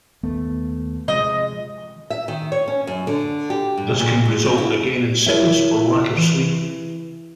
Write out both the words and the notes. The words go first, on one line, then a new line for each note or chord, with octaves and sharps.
This can result, again, in sickness or lack of sleep.
D#2 A3 B3
C3 F3 G#3 D#5
E5
D#3
C#5
C#4
F#2
D3
G4
G2
A#2
G#3
C4
E4
E4 A#4 C#5 E5
E3